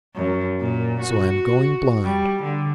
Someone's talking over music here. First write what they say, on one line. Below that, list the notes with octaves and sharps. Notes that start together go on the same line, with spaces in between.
So I am going blind.
F#2
A#2
F#4
G3
D3